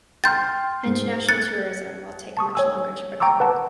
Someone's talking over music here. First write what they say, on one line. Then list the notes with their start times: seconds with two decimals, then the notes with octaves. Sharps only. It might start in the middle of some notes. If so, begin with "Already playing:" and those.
International tourism will take much longer to recover.
0.24 G5 C6 F6 G6 A6
0.83 G#2 C7
1.29 F#6 G#6 A6 C#7
2.37 A5 C#6 D#6
2.55 C#5 G#5 E6
3.20 G5 A#5 C#6 D6 E6
3.40 B4 F#5 A5